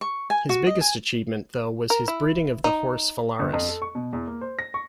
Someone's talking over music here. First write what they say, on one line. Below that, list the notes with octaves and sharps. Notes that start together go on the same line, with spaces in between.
His biggest achievement though was his breeding of the horse Phalaris.
C#6
G#5
F#4
D#5
G#5
A#4
E4
D#4
G1
F2
A4
C#6
B2
E2
A#3
C5
A#6
C#6